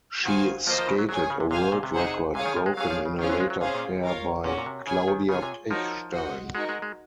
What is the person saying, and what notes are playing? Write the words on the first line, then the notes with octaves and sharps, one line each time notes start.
She skated a world record broken in a later pair by Claudia Pechstein.
D#3 F#4 C5 F5 G#5
F3 A#3 F4 C5 D#5
F3
C#3
F#3
F#3 G#4 C#5 G#5
D#3
C#3
C3
C3 G#4 C5 F5 G#5
G#2
A#2
C3
D#4 G#4 C5 F#5
C3 G#4 C#5 F5 G#5
D#3
F3
G#3
F#3 G#4 C#5 F5
F3
C#3
D#3 C#4 F4 G#4 C5 F5
F#3
G#3
F#3
C3 C#4 F4 G#4 C5 F5
A#2
F4 A#4 C#5 F5
A#2 C#4 F#4 A#4
A#2
C3
C#3 G#4 C#5 G#5
D#3
C#3 F4 G#4 C#5 G#5
C3
F3 D#4 F#4 A#4 C#5
F#4 C5 D#5 F#5
G#3 D#4 F#4 A#4
G#3
G#3